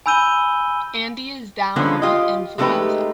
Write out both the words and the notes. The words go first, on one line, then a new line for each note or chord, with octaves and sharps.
Andy is down with influenza.
G#5 B5 E6 G6 D#7 G7
D3 F3 G#3 A#3 B3 C#4
F4 G4 D#5
G#3 A3 D4 D#4 G4 B4